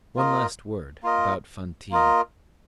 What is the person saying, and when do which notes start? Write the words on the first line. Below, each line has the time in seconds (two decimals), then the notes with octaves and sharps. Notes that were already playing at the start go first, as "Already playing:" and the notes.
One last word about Fantine.
0.16 A#3 F4 A#4 D#5
1.03 A#3 F4 A#4 D#5
1.91 A#3 F4 A#4 D#5